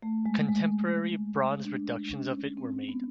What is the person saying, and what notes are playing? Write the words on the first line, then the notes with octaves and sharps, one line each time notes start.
Contemporary bronze reductions of it were made.
A3
G#3
G#3
D4
C#4
C4
B3